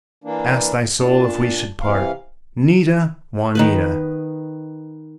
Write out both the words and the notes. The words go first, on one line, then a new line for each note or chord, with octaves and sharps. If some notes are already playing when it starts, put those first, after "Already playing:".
Ask thy soul if we should part, 'Nita, Juanita!
E3 A#3 D4
A#2 D4 A5
C3 E3 F5
D#3 B3 B4